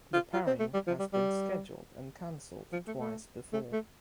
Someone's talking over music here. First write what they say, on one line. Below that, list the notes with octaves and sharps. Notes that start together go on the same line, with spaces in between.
The pairing has been scheduled and cancelled twice before.
F4
F4
C4
A3
G3
F3
G3
G3
F3
A3
A3
A3
A3